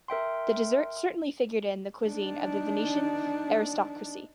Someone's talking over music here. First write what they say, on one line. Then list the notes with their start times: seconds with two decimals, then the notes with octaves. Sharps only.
The dessert certainly figured in the cuisine of the Venetian aristocracy.
0.08 A#4 E5 G5 C6
2.08 D4 D#4